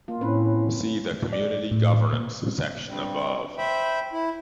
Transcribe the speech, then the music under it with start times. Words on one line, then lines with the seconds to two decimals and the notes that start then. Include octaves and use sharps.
See the "Community governance" section, above.
0.08 A#3 F4
0.21 A2 C4 C#4 B4
1.33 D5
1.71 A2
2.13 A#2
2.88 G2 G3 C4
3.58 C5 E5 G5 B5
4.13 E4